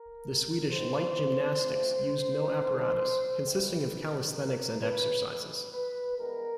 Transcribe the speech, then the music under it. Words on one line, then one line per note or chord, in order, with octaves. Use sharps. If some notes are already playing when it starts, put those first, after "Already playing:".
The Swedish "light gymnastics" used no apparatus, consisting of calisthenics and exercises.
Already playing: A#4
G#2 D#3 F#3 B3 C5
A2 F3 A3 C4
A2 E3 A3 C4
G2 E3 G3 C4 B4
F#2 D#3 F#3 B3 A#4
B4
G#2 E3 A3 B4
B4
G2 E3 G#3 B3 A#4